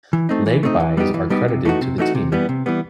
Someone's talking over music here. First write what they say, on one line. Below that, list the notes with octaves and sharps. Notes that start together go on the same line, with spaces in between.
Leg byes are credited to the team.
E3
A3 C4 D#4
E3
A3 C4 D#4
E3
G3 B3 D#4 G4
E3
G3 B3 D#4 G4
C3
E3 A3 D#4 F#4
C3
E3 A3 D#4 F#4
C3
E3 G3 B3
C3
E3 G3 B3